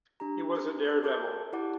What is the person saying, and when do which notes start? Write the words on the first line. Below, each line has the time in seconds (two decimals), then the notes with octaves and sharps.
He was a daredevil.
0.20 D4 G4 A#5
1.02 F#4 A#4 A5 D6 G6
1.53 E4 G4 D5 F#5 A5 D6